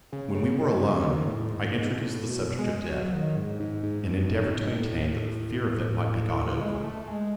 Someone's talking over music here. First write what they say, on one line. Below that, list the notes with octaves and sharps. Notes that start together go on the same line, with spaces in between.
When we were alone, I introduced the subject of death, and endeavoured to maintain that the fear of it might be got over.
C#3
C#3
D#3
B2
C#3
D#3
A2
G#2
G#2
B2
A2
B2
G#3
F#3
D#3
G#2
G#2
G#2
F#2
G#2
A2
G#2
A2
G#3
A3
G#3